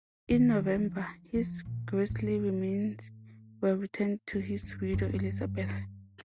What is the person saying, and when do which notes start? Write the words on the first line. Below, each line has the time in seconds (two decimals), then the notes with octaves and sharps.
In November his grisly remains were returned to his widow Elizabeth.
0.31 D#3
0.76 F3
1.35 F3
1.65 A#2
2.10 A2
4.33 G2
4.63 G2
4.93 G2